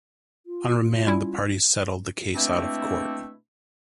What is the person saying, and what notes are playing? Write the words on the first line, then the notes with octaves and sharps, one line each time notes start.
On remand, the parties settled the case out of court.
F4
G3 C#4 E4
B2 A3 A#3 C4 D4 E4